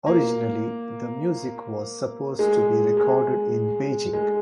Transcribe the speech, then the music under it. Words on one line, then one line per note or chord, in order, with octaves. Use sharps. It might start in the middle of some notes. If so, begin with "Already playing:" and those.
Originally the music was supposed to be recorded in Beijing.
A#3
G#3
G#3
G#3